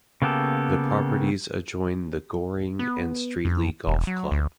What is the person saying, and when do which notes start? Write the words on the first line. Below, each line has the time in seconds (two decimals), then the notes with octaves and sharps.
The properties adjoin the Goring and Streatley Golf Club.
0.22 C#3 A#3 B3 G4 A4
2.79 B3
3.45 F2
3.87 E1
4.07 F#3
4.31 D2